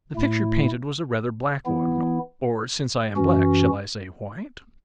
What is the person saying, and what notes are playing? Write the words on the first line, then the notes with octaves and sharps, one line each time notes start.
The picture painted was a rather black one--or, since I am black, shall I say "white"?
A2 A3 E4
E3 B3 E4
F#2 E3 C#4 F#4